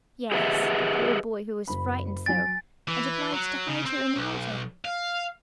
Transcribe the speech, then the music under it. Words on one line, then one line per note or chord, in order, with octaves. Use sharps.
'Yes, the poor boy who was frightened so, and obliged to hide here in the water.'
G4 G#4 B4 D#5 E5 F#5
F#1 B5
F#3 G#5 A6 D7
E3
F#3
C#3
C4
B1
F5